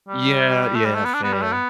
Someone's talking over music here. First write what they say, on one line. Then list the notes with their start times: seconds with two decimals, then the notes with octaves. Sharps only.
Yeah, yeah, fair.
0.08 G3
0.76 A3
0.86 G3
0.95 A3
1.05 B3
1.14 D4
1.24 B3
1.33 G3
1.42 A3
1.52 B3